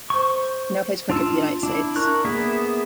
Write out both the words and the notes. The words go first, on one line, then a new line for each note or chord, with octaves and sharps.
He now plays cricket for United States.
C5 C#6
D4 F4 E6
D4 E4
D4 A#4 C#6 F#6
A#3 B3 G#4 E5